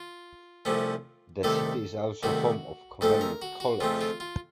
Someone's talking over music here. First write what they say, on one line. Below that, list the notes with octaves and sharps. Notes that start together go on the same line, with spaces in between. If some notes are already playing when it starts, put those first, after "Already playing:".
This city is also home to Covenant College.
Already playing: F4
C2 C3 F3 A3 C#4
C2 C3 D#3 A3 A4
C2 C3 D#3 A3 F#4
F2 C#3 A3 C4 A4
A#4
F#4
F#4
F2 C#3 A3 C4 F4
F4
F4